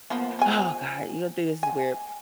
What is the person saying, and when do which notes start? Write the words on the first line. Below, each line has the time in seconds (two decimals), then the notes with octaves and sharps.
Oh god. You gonna think this is weird,
0.10 F3 A#3 B3
0.39 F3 G#5
1.63 G#5